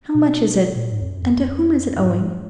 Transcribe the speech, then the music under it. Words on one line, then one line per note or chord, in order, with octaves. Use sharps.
How much is it and to whom is it owing?
B2
A#2
G#2
F2
F#2
F2
F#2
G#2
F3